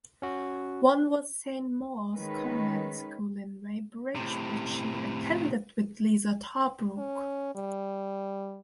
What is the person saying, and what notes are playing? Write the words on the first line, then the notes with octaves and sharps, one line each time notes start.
One was Saint Maur's Convent School in Weybridge, which she attended with Liza Tarbuck.
C#4 F#4
D#3 G#3 C#4 B4
A2 C3
C#4
G3